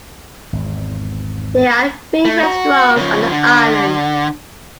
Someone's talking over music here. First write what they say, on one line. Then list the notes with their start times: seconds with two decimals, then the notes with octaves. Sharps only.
There are three restaurants on the island.
0.53 G#1 E2
2.25 A3
2.44 F#4
2.97 C#3 F3
3.31 D3